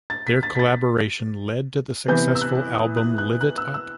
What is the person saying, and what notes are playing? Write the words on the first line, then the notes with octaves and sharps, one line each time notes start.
Their collaboration led to the successful album "Live It Up".
A6
B6
A6
B6
A6
C3 E3 B3 G6
E6
F#6
D#6
F#6
F#6
F#6
E6
E6